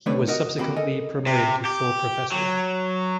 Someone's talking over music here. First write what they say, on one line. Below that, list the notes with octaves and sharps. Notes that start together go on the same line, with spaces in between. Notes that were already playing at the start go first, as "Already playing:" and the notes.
He was subsequently promoted to full professor.
D3 A3 C4 D4 B4 C#5
D#4 F#4 A#4 D#5 F#5
D#2 C3 A#3 F#4 G4 B5
A4 A#4 D#5 G#5
C3
G4
F#3